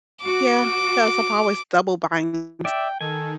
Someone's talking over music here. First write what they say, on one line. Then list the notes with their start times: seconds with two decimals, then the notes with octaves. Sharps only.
Yeah, 'cause I'm always double buying
0.24 F#4 D6
2.65 D5 E5 G5
3.01 D#3 A4 G#5